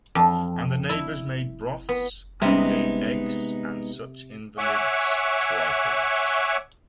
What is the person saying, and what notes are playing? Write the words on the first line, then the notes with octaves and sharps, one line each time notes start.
And the neighbours made broths, and gave eggs, and such invalids’ trifles.
F2
E4
B3
C3 G3 G#3 B3 C#4 D#4
C#5 E5 F#5 G#5 C#6 D6